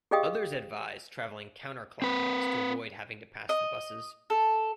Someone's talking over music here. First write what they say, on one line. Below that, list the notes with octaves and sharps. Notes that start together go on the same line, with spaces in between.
Others advise traveling counter-clockwise to avoid having to pass the buses.
G4 G#4 D#5 F5 G5 D#6
C4 B4
D#5
A4